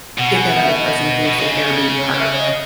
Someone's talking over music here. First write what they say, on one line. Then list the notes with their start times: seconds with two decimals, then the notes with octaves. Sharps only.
if that other person thinks that they're being heard.
0.18 B2 F#5
0.34 G#5
0.49 F#5
0.63 E5
0.78 D#5
1.27 B2
1.39 C#3
1.98 C#5
2.19 E5
2.32 C#5
2.39 D#5